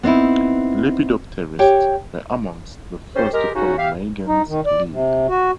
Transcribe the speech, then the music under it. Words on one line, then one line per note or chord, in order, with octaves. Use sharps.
Lepidopterists were amongst the first to follow Meigen's lead.
B3 C4 D#4 E4
G4 C#5 G5
C#4 G4 A4 C5
G#3 G4 A#4
C#3 C#4 D#4 F#4
G4 E5 F5
D#4
D#3
D5
C3
F#4